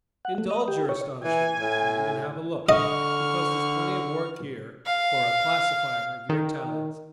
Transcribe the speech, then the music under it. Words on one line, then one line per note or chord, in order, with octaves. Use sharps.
"Indulge your astonishment, my friend, and have a look, because there's plenty of work here for a classifier of your talents."
F#5
A3
D#5
G4
C#5
E3 G#5
A2
D3 D#5 C#6 F6
F5
D#3